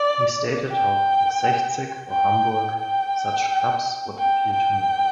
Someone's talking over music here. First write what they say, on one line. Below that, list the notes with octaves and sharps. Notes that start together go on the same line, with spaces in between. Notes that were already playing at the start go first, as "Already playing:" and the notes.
He stated how the Sechzig or Hamburg - such clubs would appeal to me.
Already playing: D5
G5
G5
G5
G5
G5